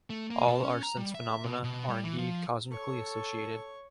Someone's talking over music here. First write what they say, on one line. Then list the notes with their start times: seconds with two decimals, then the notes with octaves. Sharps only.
All our sense-phenomena are indeed cosmically associated.
0.10 A3
0.31 A#3
0.48 B2
0.63 C#4
0.83 A#5
0.97 G3
1.15 E5
1.44 B2
1.64 B2
1.89 G3
2.05 E3
2.18 F3
2.71 A4 C#5 C#6